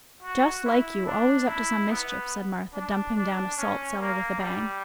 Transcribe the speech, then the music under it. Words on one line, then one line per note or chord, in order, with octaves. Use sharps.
'Just like you - always up to some mischief,' said Martha, dumping down a salt-cellar with a bang.
F#4
E4
D4
E4
B3
D4
D4
C#4
A#3
G3